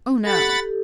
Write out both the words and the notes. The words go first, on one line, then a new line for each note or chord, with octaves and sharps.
"Oh no."
G4 A4 F#5 B5 A6